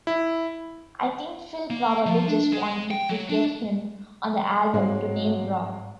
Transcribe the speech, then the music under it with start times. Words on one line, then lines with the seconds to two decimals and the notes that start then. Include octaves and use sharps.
I think Phil probably just wanted to get him on the album to name-drop.
0.07 E4
1.70 A#3
2.06 F3
2.28 D4
2.52 G#3
2.91 G5
3.09 F#3
3.30 D4
4.74 G#2 F#3 G#3 A#3 C4